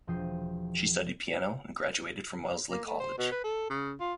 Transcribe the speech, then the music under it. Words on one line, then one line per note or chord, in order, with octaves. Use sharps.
She studied piano and graduated from Wellesley College.
E1 F3 G5 D#6 C7
A#3
A3
C5
B2
B4
A4
C#3
F4